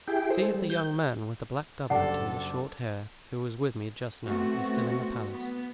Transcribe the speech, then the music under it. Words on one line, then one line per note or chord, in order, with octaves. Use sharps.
"See if the young man with the black doublet and the short hair, who was with me just now, is still in the palace."
E4 G4 G#4 G5
G#4 A4 C5
G3
G6
F#1 G3 D4 A4 F#5
A3 B3 C4 F#4
B3